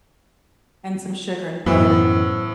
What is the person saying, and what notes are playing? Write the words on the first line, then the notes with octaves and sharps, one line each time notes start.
and some sugar and butter,
F#2 A2 E3 B3 C5 E6